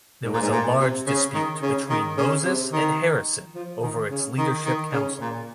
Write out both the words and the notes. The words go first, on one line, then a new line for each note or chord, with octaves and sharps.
There was a large dispute between Moses and Harrison over its leadership council.
G#2
A#2
G#2
A#2
C3
C#3
D#3
C#3
D#3
C#3
C3
D#3
F3
D#3
C#3
D#3
D#3
C#3
A#2